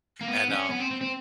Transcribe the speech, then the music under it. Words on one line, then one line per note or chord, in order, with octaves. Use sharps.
and, um,
A#3
B3
C#4
B3
C4
C4
C4